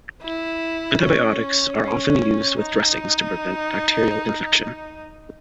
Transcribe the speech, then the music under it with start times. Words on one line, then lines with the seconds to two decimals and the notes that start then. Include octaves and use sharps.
Antibiotics are also often used with dressings to prevent bacterial infection.
0.22 E4
1.02 C#4
1.81 C#4
2.60 D#4